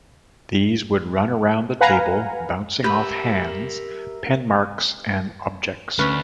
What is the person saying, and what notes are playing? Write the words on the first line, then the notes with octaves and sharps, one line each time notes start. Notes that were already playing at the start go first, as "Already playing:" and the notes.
These would run around the table, bouncing off hands, pen marks and objects.
B4 F5 F#5 G#5 A#5
G4 A#4 B4 E5 G6
D2 C#4 B4